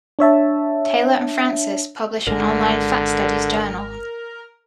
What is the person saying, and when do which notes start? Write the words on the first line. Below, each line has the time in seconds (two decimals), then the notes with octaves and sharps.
Taylor and Francis publish an online Fat Studies journal.
0.19 D4 C#5 E5 A5
2.27 G#1 D3 G#3 A#4